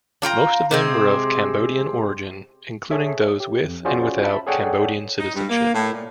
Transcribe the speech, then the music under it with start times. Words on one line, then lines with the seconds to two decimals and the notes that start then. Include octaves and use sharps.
Most of them were of Cambodian origin, including those with and without Cambodian citizenship.
0.22 D4 F4 G5 A#5
0.71 C3 G#3 C4
2.91 G#4 A4 C#5 E5
3.40 G4
3.64 F2
3.85 C#4 F4 F#4 G#4 C5 D5
4.24 E5 A5 B5
4.47 G#4 A4 C#5 D5 F#5 G5
5.18 D#4
5.34 G2
5.49 A#3
5.74 A2
5.93 A#2